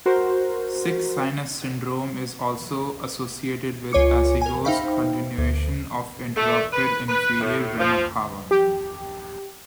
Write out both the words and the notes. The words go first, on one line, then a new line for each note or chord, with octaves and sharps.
Sick sinus syndrome is also associated with azygos continuation of interrupted inferior vena cava.
F#4 A#4 C5
C#2 F4 C#5 G#5 D6 C#7
A#4 G#5
D#4 C5 E5 F5 G5 B5
D2
A3
B4
B4
A2
F3
G4